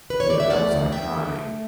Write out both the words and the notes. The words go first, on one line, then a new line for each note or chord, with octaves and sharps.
Yeah, that was iconic.
B4
C#5
D5
E5
A3 D5 F#5
D2
D2 E5 G5
D3
A3